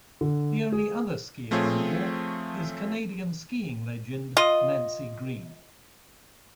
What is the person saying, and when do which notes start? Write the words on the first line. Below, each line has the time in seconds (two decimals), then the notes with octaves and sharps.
The only other skier on the walk is Canadian skiing legend Nancy Greene.
0.21 D3
0.72 G#4
1.51 F3 A3 C4 F4 G#4 C#5
4.37 F4 D#5